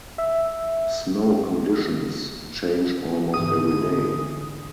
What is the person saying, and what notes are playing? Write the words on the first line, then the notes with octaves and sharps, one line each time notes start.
Snow conditions change almost every day.
E5
G#2 D3 E3 D#6